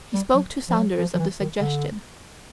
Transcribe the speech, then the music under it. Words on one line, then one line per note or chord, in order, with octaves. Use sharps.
He spoke to Saunders of the suggestion.
G3
F#3
F3
F#3
F3
F3
E3
D#3
D3